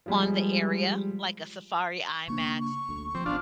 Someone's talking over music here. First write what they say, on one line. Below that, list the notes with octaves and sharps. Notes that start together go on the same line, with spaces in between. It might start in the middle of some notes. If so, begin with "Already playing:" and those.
on the area, like a safari IMAX,
F3 G3 G#3
C#3 A#3 D4 C#6
C#6
D2 A3
F3 C4
G#1 B3 D4 F4